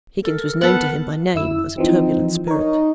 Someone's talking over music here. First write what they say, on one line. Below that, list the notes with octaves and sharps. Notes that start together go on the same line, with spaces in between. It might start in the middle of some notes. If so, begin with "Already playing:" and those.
Higgins was known to him by name as a turbulent spirit.
A4 A#4
B3 A4 B4 F#5
F#2 E4 E6
E3 F3 C4 D#4
D#4 A#4 C#5